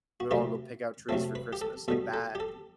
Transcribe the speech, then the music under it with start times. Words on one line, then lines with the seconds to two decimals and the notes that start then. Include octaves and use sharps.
we would all go pick out trees for Christmas, like, that
0.20 F#4
0.31 C3 F#3 A3 C4 G4
1.09 C3 F#3 A3 C4 A4
1.35 B4
1.53 G4
1.61 A4
1.88 B2 G3 B3 A4
2.14 A4
2.35 G4
2.40 A4